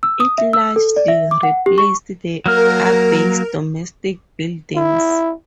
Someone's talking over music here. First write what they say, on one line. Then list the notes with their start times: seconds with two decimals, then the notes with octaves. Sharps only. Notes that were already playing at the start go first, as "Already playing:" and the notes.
It largely replaced the abbey's domestic buildings.
0.03 E6
0.20 D#6
0.38 E5
0.53 E6
0.76 A4
0.96 D5
1.08 E5
1.31 D6
1.43 F#5
1.66 G4
1.78 C#6
2.46 F#3 A#3 A#4 F6
4.75 E4